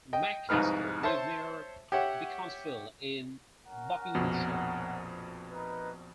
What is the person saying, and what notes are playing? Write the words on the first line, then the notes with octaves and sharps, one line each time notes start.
McCaskill lived near Beaconsfield in Buckinghamshire.
D#5 G5
C2 F2 G#2 D#4 B4 F6
C5 C#5 E5 A5
G4 C#5 E5 F#5
C#4 A#4 F#5
A#1 F2 B2
D#4 A#4 B4